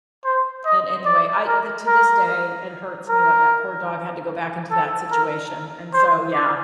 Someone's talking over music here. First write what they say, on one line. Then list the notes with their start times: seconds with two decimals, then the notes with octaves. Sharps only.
And any way, I to this day, it hurts me that that poor dog had to go back into that situation, and so, yeah,
0.25 C5
0.65 D#5
1.05 D5
1.47 A#4
1.87 A#4
3.09 A#4
4.71 A4
5.11 A#4
5.94 C5
6.34 D5